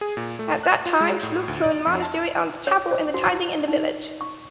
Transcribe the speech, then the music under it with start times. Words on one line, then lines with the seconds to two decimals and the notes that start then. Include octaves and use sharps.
At that time, Schlüchtern Monastery owned the chapel and the tithing in the village.
0.01 G#4
0.17 A#2
0.39 A3
0.63 F#6
0.86 F4
1.00 G#3
1.23 A2
1.48 D2
1.63 D5
1.87 F2
2.02 A5
2.67 C#5
2.91 C5
3.14 F#4
3.68 D#4
4.21 C#6